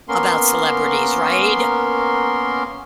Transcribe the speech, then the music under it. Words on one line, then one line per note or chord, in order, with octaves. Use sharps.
about celebrities, right?
A#3 B3 C#4 A#4 C6